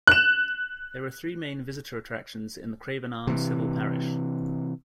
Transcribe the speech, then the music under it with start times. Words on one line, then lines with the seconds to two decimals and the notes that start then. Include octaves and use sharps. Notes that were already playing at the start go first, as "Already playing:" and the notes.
There are three main visitor attractions in the Craven Arms civil parish.
0.07 F#6 E7
3.27 C3 E3